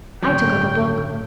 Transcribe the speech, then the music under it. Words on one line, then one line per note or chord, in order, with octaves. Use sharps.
I took up a book.
G1 D2 A2 C#3 F#3 C#5 G5